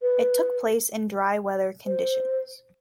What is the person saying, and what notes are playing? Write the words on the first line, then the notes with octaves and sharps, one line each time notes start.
It took place in dry weather conditions.
B4
C5